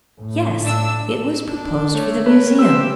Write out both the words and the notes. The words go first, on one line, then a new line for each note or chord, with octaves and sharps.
"Yes; it was proposed for the Museum."
A2
D4 E6
D4
A3 C#5
A#4 B4
G4 C5 E6